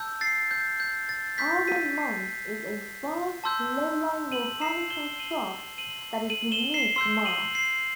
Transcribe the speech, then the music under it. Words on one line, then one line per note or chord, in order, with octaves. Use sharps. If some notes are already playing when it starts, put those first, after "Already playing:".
Alba Mons is a vast, low-lying volcanic construct that is unique to Mars.
Already playing: A5 E6 G6
A6 C7
G6
G6
A6
G6 B6
B6 D#7
A6 C7
A5 C6 E6 G6
D#7 F#7
C7 E7
E7 G7
D#7 F#7
D#7 F#7
D#7 F#7
E7 G7
C7 E7
C6 E6 G6 C7 E7
D#7 F#7
C7 E7